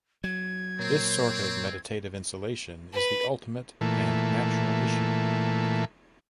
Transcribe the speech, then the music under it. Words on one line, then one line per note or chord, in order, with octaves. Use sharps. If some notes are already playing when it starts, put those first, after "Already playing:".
This sort of meditative insulation is the ultimate and natural issue.
F#3 G#6
A#2 C4 A#4 C#5
B4
A#2 E3 A3